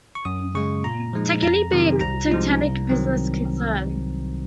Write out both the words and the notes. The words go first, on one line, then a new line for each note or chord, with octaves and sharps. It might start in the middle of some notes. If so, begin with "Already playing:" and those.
Take any big Teutonic business concern.
C#6
F#2 D#6
C#3 G#3 C#6
A#2 A#5
F3 G#3 D#4
F2 A#5
C3 D#3 F#3
C2 A#5
C3 F3 G#3 D#4
C2
D#3 F#3 C4